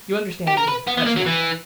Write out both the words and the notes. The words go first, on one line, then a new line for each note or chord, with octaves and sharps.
You understand me; that's enough.
G4
A#4
B4
B3
B3
A#3
F#3
E3